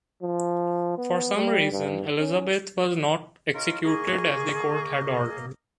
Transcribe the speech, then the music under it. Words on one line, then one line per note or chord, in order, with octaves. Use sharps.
For some reason, Elizabeth was not executed as the court had ordered.
F3
B3
G3
G2
C#4
C#4 F4 A#4 D#5
A#3 G#4 D#5 C#6